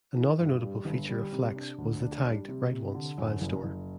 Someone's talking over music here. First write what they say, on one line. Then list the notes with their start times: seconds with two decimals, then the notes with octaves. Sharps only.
Another notable feature of Flex was the tagged, write-once filestore.
0.16 E3
0.39 G2
0.63 G3
0.85 G1
1.09 G3
1.33 C3
1.56 D4
1.78 D2
2.02 D4
2.25 G3
2.48 C3
2.71 C3
2.94 D3
3.18 F#2
3.41 F#1
3.64 F#1